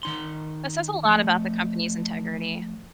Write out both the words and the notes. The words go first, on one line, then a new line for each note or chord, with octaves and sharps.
That says a lot about the company's integrity.
D#3 D#4 C6
F3 A3